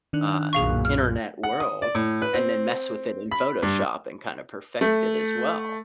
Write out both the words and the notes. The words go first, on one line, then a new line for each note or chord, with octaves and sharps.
uh, internet world and then mess with it in Photoshop and kinda perfect it as well.
D#3 D4 F#6
B1 F#2 A#2 G#4 F5 C#6
F6
F#5
D#6
D5
A2
B4
C4
B5
G2
A3